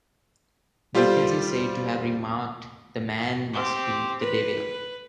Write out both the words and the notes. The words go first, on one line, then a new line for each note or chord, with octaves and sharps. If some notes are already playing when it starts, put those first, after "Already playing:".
Dickens is said to have remarked, "The man must be the devil".
G3 F4 G4 A4 C5
C4 G4
B4